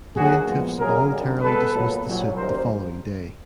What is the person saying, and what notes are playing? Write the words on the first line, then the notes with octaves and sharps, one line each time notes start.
Plaintiffs voluntarily dismissed the suit the following day.
D#2 D3 F#3 A#3 F#4 G#4
C2 A#2 F3 G#3 B3
F#2 C#3 F#3 A#3 G#4 A#4
F#2 D3 G3
B2 G#3 B3 A4 B4
A#2 F#3 B3
C2 A#2 F#3
F#2 D#3 G3 A#3 A#4 C5